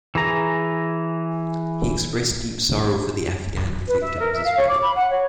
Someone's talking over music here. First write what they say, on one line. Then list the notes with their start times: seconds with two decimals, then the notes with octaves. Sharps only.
He expressed deep sorrow for the Afghan victims as well.
0.15 E3 G#4 A#5
3.87 B4
4.01 E5
4.19 A#4
4.33 E5
4.44 F5
4.57 C#5
4.68 D6
4.82 B5
4.95 F#5
5.10 C#5